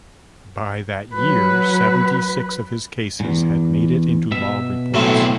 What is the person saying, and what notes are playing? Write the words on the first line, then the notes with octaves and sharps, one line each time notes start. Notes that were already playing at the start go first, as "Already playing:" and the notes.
By that year, seventy-six of his cases had made it into law reports.
F#3 B4
E2 G#2
B2 E5
B1 A2 F#3 A3 C4